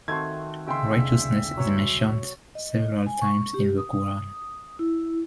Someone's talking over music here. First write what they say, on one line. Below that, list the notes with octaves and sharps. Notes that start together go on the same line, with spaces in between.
Righteousness is mentioned several times in the Qur'an.
D#3 A3 C4 F#4 C6 G#6
C#3 G#3 E5 G5 C6
E1 C2 D3
F#3 C#5 E6
D#5
G#5
C#6
G4
D#6
E4